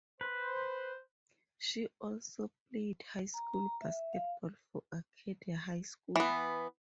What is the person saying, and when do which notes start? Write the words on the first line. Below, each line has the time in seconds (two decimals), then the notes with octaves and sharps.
She also played high school basketball for Arcadia High School.
0.21 B4 C5
3.34 A#5
3.54 A#5
3.82 E5
4.13 F5
6.16 E3 B3